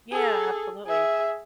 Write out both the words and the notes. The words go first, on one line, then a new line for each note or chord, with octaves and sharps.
Yeah, absolutely.
G#4 A4
G#4 E5